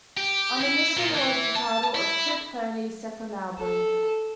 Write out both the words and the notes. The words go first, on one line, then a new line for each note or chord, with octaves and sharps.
"On a Mission" was the title of Trick Pony's second album.
G4
E4
A#2
E3
A5
E4
A4